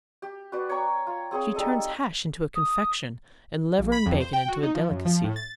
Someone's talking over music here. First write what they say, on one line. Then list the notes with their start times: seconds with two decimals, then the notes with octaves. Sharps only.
She turns hash into a confection and liver and bacon into a delicacy.
0.22 G4
0.52 F#4 B4 C5 D5
0.69 C#5 G5 A#5 C#6
1.07 F4
1.31 C4 G#4 C#5 C6
1.55 G3 D#4 A4 D#5
2.55 D#6
3.79 A#1
3.92 B5
4.06 F2
4.20 C5
4.33 G5
4.48 F#4
4.63 D#4
4.75 F3
4.91 F#2
5.05 F3
5.24 A2
5.36 A6